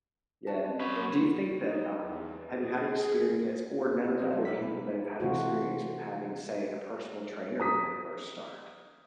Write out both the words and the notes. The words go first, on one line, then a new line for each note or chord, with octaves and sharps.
yeah. Do you think that, um, have you had experience or known other people that have had experience with having, say, a personal trainer when they first start?
F#4 A5
C4 C#4 D#5
B4 C#5 F#5
F#3 A#3 F#4 A#4 C6
D#4
E2
G#4
E4
F#3 C4 A#4 C5 D5 D#5
F#3 G#3 A3 D4
B2 C4 G4 A#4 E5 B6
B3 E4
C3 E3 A3 F4 F#4
A#5 D#6 B6